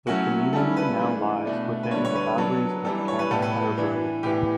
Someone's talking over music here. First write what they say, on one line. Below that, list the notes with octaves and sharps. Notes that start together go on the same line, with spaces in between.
The community now lies within the boundaries of Camp Atterbury.
F#3 A3 C#4 E4 F#4
C#3 G3 C#4 E4 A4
B4
C#3 E3 A3 D4
B2 A3 D4
B4
D3 G3 D4 C#5
C#5
B4
F#3 B3 D4 A4
E3 G3 D4 A4
C#5
B4
A2 G3 B3 A4
B4
E3 B3 D4
A2 E3 B3 G4